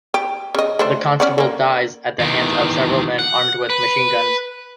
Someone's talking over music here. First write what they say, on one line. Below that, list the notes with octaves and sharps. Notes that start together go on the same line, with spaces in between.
The Constable dies at the hands of several men armed with machine guns.
G4
C#3 D#5
A3 D4 C5
C#4 D5 F#5
D3 A#3
E2 D#3
F#5
B4